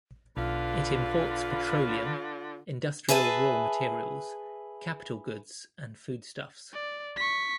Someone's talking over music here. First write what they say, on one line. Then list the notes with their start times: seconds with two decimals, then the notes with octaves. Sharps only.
It imports petroleum, industrial raw materials, capital goods, and foodstuffs.
0.37 B1 D3 F4 B4 F5
3.09 G#4 B4 E5 G#5 A5
6.73 D5
7.16 C#6 B6